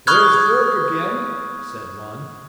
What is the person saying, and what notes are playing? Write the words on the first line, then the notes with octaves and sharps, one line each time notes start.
"There's Dirk again," said one.
B5 C#6 D#6 F6 F#6 G#6